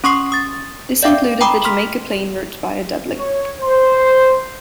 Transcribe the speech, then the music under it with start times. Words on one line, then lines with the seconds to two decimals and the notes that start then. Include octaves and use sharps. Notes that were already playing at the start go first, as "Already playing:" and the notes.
This included the Jamaica Plain route via Dudley.
0.04 C#4 C6 C#6 D#6 C7
0.32 D#6 A6
1.03 D5 E5 F5 G5 D6
1.41 G5 A#5 B5 D6 D#6
1.65 C6 F6 B6
3.18 C#5
3.61 C5